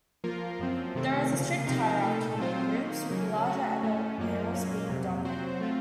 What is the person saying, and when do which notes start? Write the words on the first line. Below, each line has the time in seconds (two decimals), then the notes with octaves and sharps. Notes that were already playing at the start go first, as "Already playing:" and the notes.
There is a strict hierarchy in groups, with the larger adult males being dominant.
0.24 F3 A#3 F4 A#4
0.59 F#2 F3 C4
0.95 C3 D#3 A3 C4
1.31 C#3 F3 A#3
1.67 C3 F3 C4 D#4 A#4
2.03 A#2 A3 D#4 A4
2.38 F#3 C4 F4 C5
2.74 D#3 A#3 D#4
3.10 C#3 F#3 A#3 C#4
3.46 A3 C#4 F#4
3.82 A2 A3 C#4
4.18 F#2 F3 A#3
4.53 A#2 F#3 A#3 C#4
4.89 F2 C3 F#3
5.25 F#3 C4 F#4 C5
5.61 A3 C4 F4